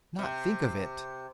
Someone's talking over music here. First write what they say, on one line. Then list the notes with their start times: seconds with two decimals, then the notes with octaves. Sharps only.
Not think of it!
0.19 C3